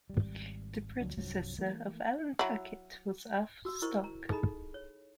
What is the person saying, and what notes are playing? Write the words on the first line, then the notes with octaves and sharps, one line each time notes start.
The predecessor of Alan Tuckett was Arthur Stock.
G#1 G3
D2 F3 F#3 D4
C2 G2 F3 F#3
E3 A3 A#3
F#3 E4
F#4 E6
E4 A#4 C5 D#5 C#6
A#5
D#4 G#4 A4 D#5 A#5 B5
C#5